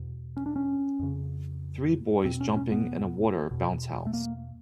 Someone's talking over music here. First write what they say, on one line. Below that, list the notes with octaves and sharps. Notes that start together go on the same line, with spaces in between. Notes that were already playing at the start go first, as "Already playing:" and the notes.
Three boys jumping in a water bounce house.
Already playing: E2 B2
C#4
D4
C#4
F2 C#3
E2 B2 C4
C#4
C#4
B3
E2 B2
A3
A#3